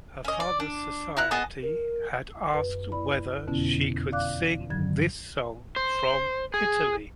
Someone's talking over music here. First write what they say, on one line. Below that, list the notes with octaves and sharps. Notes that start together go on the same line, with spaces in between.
Her father's society had asked whether she could sing this song from Italy.
C#4 D#5
D5
D4
E4 A#5 F#6
B3 G#4 D#5 A5
A#4
F#2 B4
E4 D5 B5
F2 B2 D3 B3 C#4 E4
D5 F5 D6 F#6
G2 D3 D#3 F#3 G#6
C5
G#4